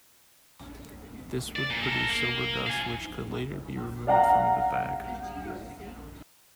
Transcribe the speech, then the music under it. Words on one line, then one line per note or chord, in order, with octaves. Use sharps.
This would produce silver dust, which could later be removed from the bag.
D5
A#2
A4 A#4
A#3
F5 G#5
D5 F5 F#5 A#5